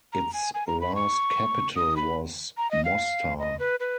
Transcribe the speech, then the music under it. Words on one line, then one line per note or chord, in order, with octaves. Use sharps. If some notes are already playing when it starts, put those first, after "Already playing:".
Its last capital was Mostar.
A#5
G#5
G#5
A#5
B5
C#6
D#6
B5
A#5
D#5
F5
D#5
B4
B4